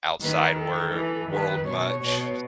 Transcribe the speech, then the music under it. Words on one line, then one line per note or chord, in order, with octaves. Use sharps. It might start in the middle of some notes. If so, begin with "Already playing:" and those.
outside wer world much,
D#3 B4
A4
E3
D#3 B4
B2 C#5
B2